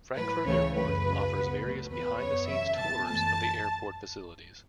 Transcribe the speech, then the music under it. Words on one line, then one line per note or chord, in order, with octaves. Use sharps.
Frankfurt Airport offers various behind-the-scenes tours of the airport facilities.
A2 F#3 A3 B4
C#2 C#3 E3 A3 C#5
F#2 C#3 F#3 A3 B4
C#2 C#3 F#3
C#2 B2 B3
B2 F#3 A3
E2 E3 B3 B4
F#2 F#3 B3 C#5
E2 C#3 F#3 E5
B2 F#3 B3 A5
F#2 E3 A3 A5